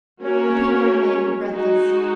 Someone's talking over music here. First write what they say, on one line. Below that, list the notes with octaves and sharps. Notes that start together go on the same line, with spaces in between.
Peppino remained breathless.
A#3 C#4 F#4 A#4 C#5
G#3 D#4 F#4